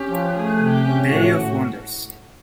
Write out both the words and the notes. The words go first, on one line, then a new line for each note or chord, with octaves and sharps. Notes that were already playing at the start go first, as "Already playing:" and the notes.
Day of wonders!
Already playing: C#4 G4
F3
A3 G#4
C3
G4
C#4
A2 F#4
A2